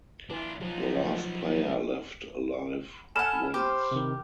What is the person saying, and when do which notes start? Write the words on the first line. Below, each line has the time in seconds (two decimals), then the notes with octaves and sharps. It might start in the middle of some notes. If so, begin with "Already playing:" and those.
The last player left alive wins.
0.30 E3 D4 F4
0.61 F3 F#3 D#4
3.16 A4 F#5 G#5 B5 F6 E7
3.54 G4 C5
3.91 C3 D#3